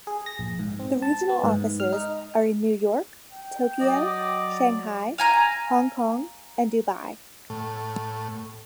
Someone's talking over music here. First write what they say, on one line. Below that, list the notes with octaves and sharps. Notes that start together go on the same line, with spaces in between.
The regional offices are in New York, Tokyo, Shanghai, Hong Kong and Dubai.
G#4
A#6
A#1
G#2
C4
A5
B3
G#2
F6
D#4
G5
F#3 D5 D#5
F5 G#5 A#5
A2